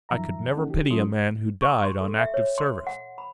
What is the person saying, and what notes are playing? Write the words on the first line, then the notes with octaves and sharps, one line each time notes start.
I could never pity a man who died on active service.
F#2 D#3 F3 E5 A#5
A#3 C#4 D#4 A4 F#5
D#3 G4
F#3 C#4 E4 A4 C6 D#6
C#6
C6
A4
E5
C#5
C6
F#5
B5